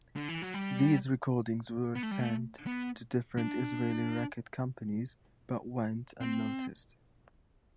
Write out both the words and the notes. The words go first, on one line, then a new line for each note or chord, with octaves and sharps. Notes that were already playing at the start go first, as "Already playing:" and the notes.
These recordings were sent to different Israeli record companies but went unnoticed.
D3
E3
F#3
G3
B3
A3
G3
A3
B3
D4
C4